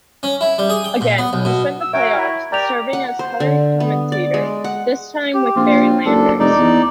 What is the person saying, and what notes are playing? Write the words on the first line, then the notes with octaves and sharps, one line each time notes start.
Again, he spent the playoffs serving as color commentator, this time with Barry Landers.
C#4
E4
G3
G#4
G5
A#2
B3
B1
B2
E6
F#4 A#4 C#5 E5 G5
E4
G4 A#4 D5 G5 A#5 F7
F#5
C5
D3
B3
D5
G#3
F#5
G4
A#1 C4 F4
F#1 D4 A4
F1 D#4 D5
E2